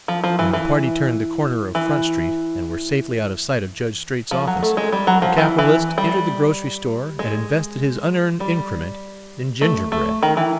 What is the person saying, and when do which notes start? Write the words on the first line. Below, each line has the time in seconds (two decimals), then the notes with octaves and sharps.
When the party turned the corner of Front Street and were safely out of sight of Judge Straight's office, the capitalist entered the grocery store and invested his unearned increment in gingerbread.
0.08 F3
0.24 F3
0.39 E3
0.53 E3
1.75 E3
4.31 F3
4.47 F#3
4.63 A3
4.77 G#3
4.92 G3
5.07 F#3
5.22 F3
5.38 E3
5.59 E3
5.98 G3
7.19 G#3
8.40 G3
9.62 A3
9.92 A3
10.23 D#3
10.37 E3